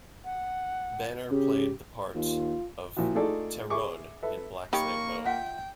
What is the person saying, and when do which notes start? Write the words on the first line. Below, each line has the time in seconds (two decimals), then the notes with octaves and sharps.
Banner played the part of Tehronne in "Black Snake Moan".
0.25 F#5
1.31 C#3 G4
2.15 D#2 F4
2.97 A#2 F3 E4 F#4
3.15 A3 D#4 F4 G#4 A4 D5
3.70 G#4 E5 C#6 D6
4.23 A4 B4 E5
4.73 D#3 A#3 G4 C#5 B5 C#6
5.26 F4 E5 F#5 G5